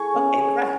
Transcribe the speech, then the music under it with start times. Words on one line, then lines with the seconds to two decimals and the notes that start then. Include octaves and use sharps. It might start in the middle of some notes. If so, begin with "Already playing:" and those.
"Okay, the rat,
Already playing: A3 E4 G#4 C#6
0.14 C#4
0.41 G#4